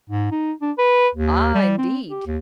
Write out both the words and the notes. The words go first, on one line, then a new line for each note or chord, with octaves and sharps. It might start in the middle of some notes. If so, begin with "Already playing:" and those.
"Ah! indeed!"
G#2
D#4
D4
B4
D#2
G3
C4
G4
D#2